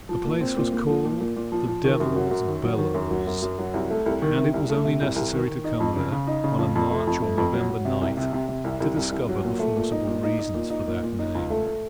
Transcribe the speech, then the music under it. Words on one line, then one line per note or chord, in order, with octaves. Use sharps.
The place was called the Devil's Bellows, and it was only necessary to come there on a March or November night to discover the forcible reasons for that name.
F3
A#2
C4
A#2
A#2
F3
A#2
A#2
A#2
F3
F3
D#3
F#2
F#3
F#2
D#3
F#3
D#3
F#2
F#3
F#2
F#2
F#3
C2
A3
C2
D#3
C3
C2
A3
C3
C2
C2
D#3
D#3
D#4
F2
C#3
C#3
D#4
C#3
F2
F2
A3
F2
A3
F2
F#3
F#3
C3
C2
C3
C3
C3
C2
C2
C2
C2
F#3
A#2
A3
A#2
D#4
A#2
D#4
D#4
A#2
D#4
A#2
A#2
D#4
C#2
A3
A3